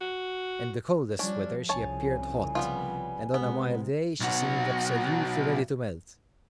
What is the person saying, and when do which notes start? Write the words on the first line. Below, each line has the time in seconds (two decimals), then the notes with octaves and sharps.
In the coldest weather she appeared hot, and on a mild day she seemed absolutely ready to melt.
0.01 F#4
1.19 F3 G3 C#4 D4 D5
1.69 C2 C#3 F3 C#5 G#5 A5
2.55 G3 B3 F4
3.34 C3 G#3 B3
4.20 B1 F#4